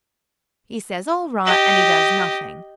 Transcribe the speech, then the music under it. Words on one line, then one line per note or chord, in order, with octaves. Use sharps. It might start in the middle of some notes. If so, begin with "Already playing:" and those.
He says, 'All right,' and he does nothing.
G4 D#5